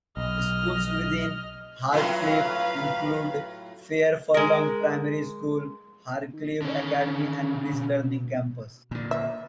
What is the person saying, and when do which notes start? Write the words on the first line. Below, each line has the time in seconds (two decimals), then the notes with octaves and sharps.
Schools within Hartcliffe include Fair Furlong Primary School, Hareclive Academy, and Bridge Learning Campus.
0.17 B1 D#5 F6
1.93 A2 F#3 F4 B4 F5
4.34 G#3 A#4
6.33 D#3
6.62 D3 C#4
7.73 B2
8.91 A#2 D3
9.11 E5